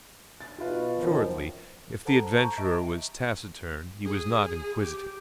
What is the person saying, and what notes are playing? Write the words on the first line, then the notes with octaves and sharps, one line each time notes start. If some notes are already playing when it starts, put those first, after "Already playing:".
Assuredly if the adventurer was taciturn he was not inquisitive.
A6
B2 F4 B4 F5
F#2 D#3 F3
A4 C5 F#5 A5 A#5
A5 A#5 C#6 G6
D#5 E5 C#6 D7
G#4
G4